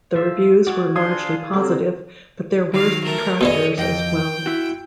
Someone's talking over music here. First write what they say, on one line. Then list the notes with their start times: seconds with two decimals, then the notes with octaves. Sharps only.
The reviews were largely positive, but there were detractors as well.
0.15 F3 F4 E5
0.67 F#4 G#4 D5
0.96 D4 F4 G#4 F5 C6 D#6 G#6
1.54 D3 F#3 G3 C4 D6
2.74 D#3 F#3 F5
3.04 A3 A#4
3.41 B2 D3 E3 G#4 A4 C#5 D#5
3.77 F2 D#5 G5
4.46 E4 F#4